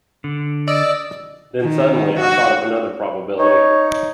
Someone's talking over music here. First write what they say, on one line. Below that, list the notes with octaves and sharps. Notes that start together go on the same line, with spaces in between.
Then suddenly I thought of another probability.
D3
D5 D#5 E6
D#3
F#4
D#4 C#5